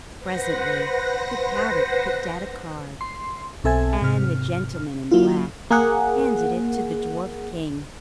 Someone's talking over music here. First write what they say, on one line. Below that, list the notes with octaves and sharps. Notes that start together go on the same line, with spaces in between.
Presently the parrot picked out a card, and the gentleman in black handed it to the Dwarf-King.
B4 C5 F#5 A#6
C6
B1 C4 A4 E5 G#5 G#6
G#2 C3 F6
F#3 A#3 E4 F4
A#3 G#4 F#5